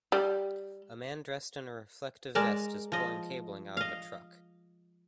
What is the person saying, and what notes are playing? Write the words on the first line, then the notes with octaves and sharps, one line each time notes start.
A man dressed in a reflective vest is pulling cabling out of a truck.
G3
G#3 A#4 D5 A5
F3 D#5
D#5 F5